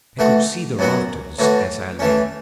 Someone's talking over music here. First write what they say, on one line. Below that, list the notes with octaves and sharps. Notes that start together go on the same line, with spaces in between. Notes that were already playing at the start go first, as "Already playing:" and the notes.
I could see the rafters as I lay.
E3 A3 F#4
F#2 F#3 B3 F#4
A2 E3 A3 F#4
E3 A3 C#4